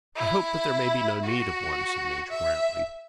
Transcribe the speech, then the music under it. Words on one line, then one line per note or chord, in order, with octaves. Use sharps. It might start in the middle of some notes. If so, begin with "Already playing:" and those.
"I hope there may be no need of one," said Major Grantly.
E4
F#4
E5